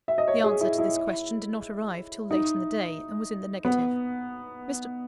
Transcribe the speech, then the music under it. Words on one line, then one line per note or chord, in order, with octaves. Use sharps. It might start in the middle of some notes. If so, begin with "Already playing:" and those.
The answer to this question did not arrive till late in the day; and was in the negative--Mr.
E5
D#5
C#5
G#4
E4
E4
D#4
B3